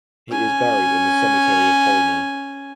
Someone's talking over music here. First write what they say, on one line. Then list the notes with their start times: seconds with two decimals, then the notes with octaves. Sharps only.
He is buried in the Cemetery of Holmen.
0.29 C#4 G#5